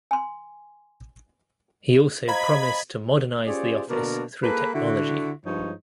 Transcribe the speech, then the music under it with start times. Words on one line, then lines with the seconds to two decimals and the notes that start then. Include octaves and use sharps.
He also promised to modernize the office through technology.
0.11 G#5 C6
2.28 C5 D#5 F5 A#5 B5 G#6
3.47 C#4 F4 G4 G#4 C5 D5
3.90 B2 D3 A#3 D4 A#4
4.43 A#3 G#4 A4 B4
4.74 D3 E4 F#4
5.46 G2 F3 G#3 D#4 C#5